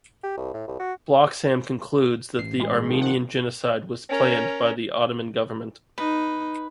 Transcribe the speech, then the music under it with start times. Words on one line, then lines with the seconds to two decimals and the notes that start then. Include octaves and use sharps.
Bloxham concludes that the Armenian genocide was planned by the Ottoman government.
0.23 G4
0.37 C2
0.54 A2
0.68 C2
0.79 F#4
2.39 A1 C7
2.59 G#3
2.89 D#3 F3
3.01 F#5
4.09 C#4 A#4
5.98 D#4 B4